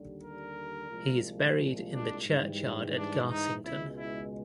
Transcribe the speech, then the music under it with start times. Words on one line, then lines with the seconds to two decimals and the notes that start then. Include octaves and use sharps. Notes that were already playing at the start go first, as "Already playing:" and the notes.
He is buried in the churchyard at Garsington.
Already playing: D#2 D3 G3
0.20 A#4
0.89 C2 A#2 F3 G#3
1.91 D4
2.25 G#2 E3 G3
2.93 D4
3.28 D#4
3.62 C#2 B2 G#3 E4
3.96 E4